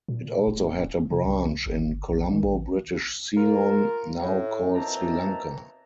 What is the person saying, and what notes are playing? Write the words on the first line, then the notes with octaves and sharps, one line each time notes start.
It also had a branch in Colombo, British Ceylon, now called Sri Lanka.
A#2
D1
C3
C2
G1
A#1
D#3
A1
F4 A#4
A2
D#2 B2 E3 C4 A5 A#5